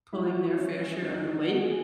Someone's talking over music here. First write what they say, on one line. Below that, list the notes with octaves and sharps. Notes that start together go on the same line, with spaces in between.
pulling their fair share of the weight
E4
F#4
F#4
E4
C#4
C#4
E4
D#4
C#4
D#4
F#4
G#4